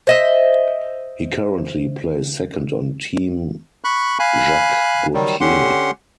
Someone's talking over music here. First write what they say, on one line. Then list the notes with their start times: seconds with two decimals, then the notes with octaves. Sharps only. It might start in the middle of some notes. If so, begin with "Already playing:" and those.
He currently plays second on Team Jacques Gauthier.
0.07 C5 D#5 E5
3.84 B5 C#6 F#6
4.19 F5 G#5 B5 F#6
5.14 D#3 F#3 G3
5.41 D3 C#4 G4 F#5 C6